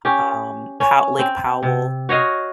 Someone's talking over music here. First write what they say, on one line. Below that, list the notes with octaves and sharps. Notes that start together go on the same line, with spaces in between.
um, Po Lake Powell,
C#4 G4
C#4
C4
C3
F#4 C#5 D#5 F5